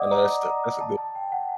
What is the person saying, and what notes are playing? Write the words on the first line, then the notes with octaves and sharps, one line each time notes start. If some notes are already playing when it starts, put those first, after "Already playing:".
I know that's the that's a good no
Already playing: D5 D#5 F#5 D6 D#6
A#5
A#5
A5
A5
G5
F#5